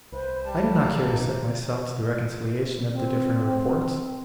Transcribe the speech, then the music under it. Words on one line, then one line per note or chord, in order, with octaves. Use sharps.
I do not care to set myself to the reconciliation of the differing reports.
C2 B4 C5
G3 A5
B1 D#3 A#3 D#4
C4